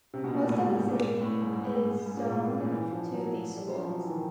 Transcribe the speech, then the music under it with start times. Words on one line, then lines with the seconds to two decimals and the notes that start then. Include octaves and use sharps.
Most of the city is zoned to these schools.
0.14 C3
0.24 B2
0.35 A#2
0.45 A2
0.56 G#2
0.67 G#2
0.78 G#2
0.88 A#2
1.21 A2
1.42 G#2
1.53 G#2
1.63 A2
1.75 A2
1.85 G#2
2.06 G#2
2.17 A#2
2.28 A2
2.50 A2
2.60 A#2
2.71 E3
2.92 F3
3.14 F#3
3.57 G3
3.68 F#3
3.78 F3
3.89 F#3
4.00 E3
4.10 D#3